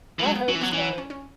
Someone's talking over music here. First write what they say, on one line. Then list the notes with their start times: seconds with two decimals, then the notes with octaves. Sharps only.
I hope so.
0.19 E3
0.23 F#3 G#3
0.35 B3
0.48 F#3 C#4
0.55 E3
0.61 F#3 B3
0.73 E3 C#4
0.85 E4
0.98 C#4
1.10 C#4